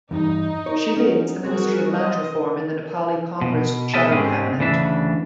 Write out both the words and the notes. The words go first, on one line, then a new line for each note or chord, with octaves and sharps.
She leads the Ministry of Land Reform in the Nepali Congress shadow cabinet.
E2 G2 D#4
A#4 C#5
C#4 F#4
G3 C4 F#4 G#4 A#4
C5 D#5
B2
B3 G#4 A#4 D#5 E5 A5
G#2 G#3 C4 C#4 G4 G#4
D2 C#3 E3 D4 E5